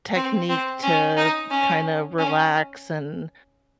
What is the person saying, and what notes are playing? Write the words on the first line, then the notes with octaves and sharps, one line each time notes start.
technique to kinda relax, and
C4
C4
C#4
D#4
C#4
C#4